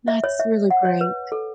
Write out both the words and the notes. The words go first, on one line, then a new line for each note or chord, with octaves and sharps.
That's really great.
E5
C#5
E5
F#5
C#5
B4
A4